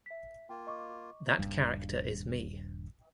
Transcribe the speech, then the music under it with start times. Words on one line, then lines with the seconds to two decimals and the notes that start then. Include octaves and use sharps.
That character is me.
0.06 E5 B6
0.49 A#3 F4 G5
0.67 D#5 C#6 D6
1.39 D#1 G2